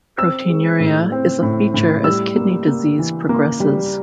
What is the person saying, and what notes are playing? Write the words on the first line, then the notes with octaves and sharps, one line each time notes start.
Proteinuria is a feature as kidney disease progresses.
C4 E6
G#3
A2
C4
A2
A2
G3 E6
A#3
A#3
E3
A#3
G3